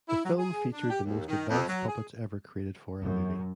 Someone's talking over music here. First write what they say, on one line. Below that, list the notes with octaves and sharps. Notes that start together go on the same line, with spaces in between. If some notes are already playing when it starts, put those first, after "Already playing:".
The film featured the most advanced puppets ever created for a movie.
E4
F#3
G#4
D4
G4
D#2
D#3
F2
F#3
G#4
F#2